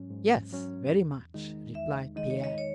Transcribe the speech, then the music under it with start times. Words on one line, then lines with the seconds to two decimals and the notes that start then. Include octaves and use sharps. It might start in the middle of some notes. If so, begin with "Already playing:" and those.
"Yes, very much," replied Pierre.
Already playing: G#2 F#3 C#4
0.11 G#2
0.52 F#3 C#4
0.93 E2
1.34 D#3 G#3 D#4
1.75 E2 E5
2.16 D#3 G#3 D#4 D#5
2.30 C#5
2.44 D#5
2.58 C#5